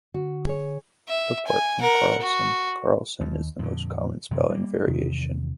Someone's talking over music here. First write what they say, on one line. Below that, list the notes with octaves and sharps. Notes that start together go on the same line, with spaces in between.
Apart from "Karlsson", "Carlsson" is the most common spelling variation.
D3 F#4
G#4 C#5
E5
G#5
A#4 F#5
F#4
D#2
F2 A#2 D3
F#2 C3 E3 F#3
G3 A#3
E2 C3 D#3